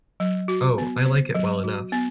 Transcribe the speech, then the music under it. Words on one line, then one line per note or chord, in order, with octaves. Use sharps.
Oh, I like it well enough!
F#3
F#4
B3
C5
F#3
F#4
B3